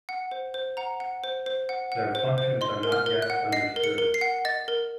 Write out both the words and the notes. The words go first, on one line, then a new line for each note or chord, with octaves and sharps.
Their functions are not yet understood.
F#5
C5
C5
F#5 A#5
F#5
C5
C5
F#5
F#5
C5
C5
D#5 C6
A#4
F6
A#4
F#6
F#5
D#5 C7
A#4
C#7
A#4
C7
F#5
D#5 A6
A#4